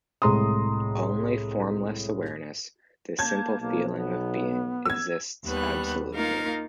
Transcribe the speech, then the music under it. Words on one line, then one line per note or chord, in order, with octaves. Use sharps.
Only formless awareness, "the simple feeling of being", exists absolutely.
C2 A2 G#3 A#5 C6 D#6
A#3 A5 G6 G#6
B1 A#3
B3
E6 G#6
D#2 G3 B3 F#6
A#3 D#4 F4 A#4 F5